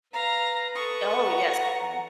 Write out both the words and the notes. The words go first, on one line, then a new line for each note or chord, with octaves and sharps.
Oh, yes. Definitely.
B4 F5 A#5
A4 C#6 D#6
F#5 A#5